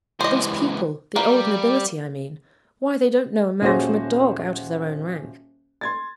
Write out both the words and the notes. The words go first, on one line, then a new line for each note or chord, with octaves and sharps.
Those people--the old nobility I mean--why they don't know a man from a dog, out of their own rank!
C#2 E3 C5 D#5
G3 A#3
D#1 C#4 F#4 G#4 C5 A#6
C6 G#6 A6